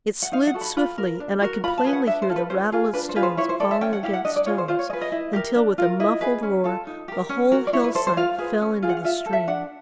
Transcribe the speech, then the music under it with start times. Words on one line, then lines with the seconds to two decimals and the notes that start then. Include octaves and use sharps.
It slid swiftly, and I could plainly hear the rattle of stones falling against stones, until with a muffled roar the whole hillside fell into the stream.
0.22 F#5
0.32 D#4 F5
0.47 F#5
0.54 F#4 A4
0.61 B5
0.77 F4 B5
0.98 A#4
1.20 D4
1.41 F#4 A#4
1.64 F4 B5
1.78 A5
1.85 G#4 B4
1.93 F#5
2.07 D4 E5
2.22 C5
2.29 F4 A4
2.36 B4
2.50 C#4 C5
2.72 F4 G#4
2.93 D4 B4
3.09 C5
3.16 F4 G#4 B4
3.23 C5
3.37 E4 C#5
3.49 C5
3.60 A4 D5
3.71 E5
3.81 C#4 G5
3.93 F#5
4.03 E4 G4 F5
4.13 F#5
4.25 D4 D#5
4.36 D5
4.46 F4 G#4 C#5
4.58 C5
4.68 F4 C5
4.79 C#5
4.90 G#4 B4 D#5
5.01 D#5
5.12 E4
5.33 G4 A#4
5.55 D4
5.78 F4 A#4
6.00 E4 D#5
6.21 G#4 B4
6.43 C#4
6.64 F4 A4
6.87 D#4
7.08 G4 A#4
7.29 C#4
7.52 F#4 A#4
7.67 D5
7.73 E4 C#5
7.84 B4
7.95 A4 C5
8.07 C5
8.17 F4 F5
8.38 G#4 B4
8.61 C#4
8.82 F4 G#4
8.89 F#5
8.97 F5
9.04 F4 E5
9.26 A4
9.33 E5
9.48 D4 F#5